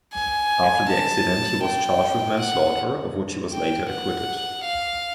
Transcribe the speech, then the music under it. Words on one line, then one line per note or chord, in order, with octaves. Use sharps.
After the accident he was charged with manslaughter, of which he was later acquitted.
G#5
A5
G5
F#5
G5
F#5
F5